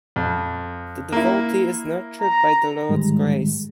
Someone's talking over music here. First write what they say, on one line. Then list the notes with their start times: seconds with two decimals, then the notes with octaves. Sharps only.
The devotee is nurtured by the Lord's grace.
0.16 F2
1.12 A#3 E4
2.21 A#5
2.89 G#2 D#3 G3 G#3